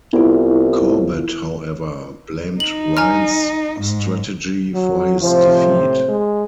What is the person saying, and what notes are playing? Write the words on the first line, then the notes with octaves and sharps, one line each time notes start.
Corbett however, blamed Ryan's strategy for his defeat.
C2 B3 E4 F4
D#4 F#7
G#5 A#5 F6
G#2
F#3
A2 C3 F3 C5
G#3